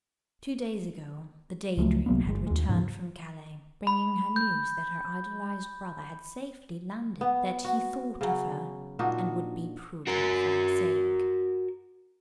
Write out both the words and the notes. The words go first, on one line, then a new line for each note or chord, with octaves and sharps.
Two days ago the DAY DREAM had returned from Calais, bringing her news that her idolised brother had safely landed, that he thought of her, and would be prudent for her sake.
C#2 F3 F#3 A3
C2 F#3 A#3 B3
G1 G#3
D#2 G#3
G#2 C#3 E3 F3
B5
G6
B3
F#4
C#3 F#3
A#2 D4 D#4 F#4
F#4 A#4